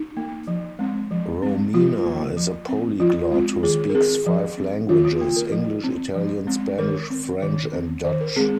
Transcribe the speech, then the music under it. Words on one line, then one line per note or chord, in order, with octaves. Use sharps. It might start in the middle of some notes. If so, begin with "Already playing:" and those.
Romina is a polyglot who speaks five languages: English, Italian, Spanish, French and Dutch.
Already playing: D#4
A#3
F3
G#3 C4
F3
G#3 C4
F3 F4
A#3
F3
C4
F3 F4
G#3 C4 F4
D#3 G#4
A#4
C4 G#4
F3
C4
D#3 F4
F4
A#3
A#4
F3
C4
F3
G#3 C4
D#3 A#4
C4
D#3
C4
D#3 C5
A#4
G#3 C4 G#4